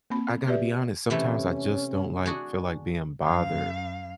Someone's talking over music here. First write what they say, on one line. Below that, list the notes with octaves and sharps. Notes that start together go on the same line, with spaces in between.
I gotta be honest, sometimes I just don't, like, feel like being bothered
A#3 C4 B5
G4 B4 D5 E5
C3 E3 A3 C#4
D4 F#4 G#4
F#2 F5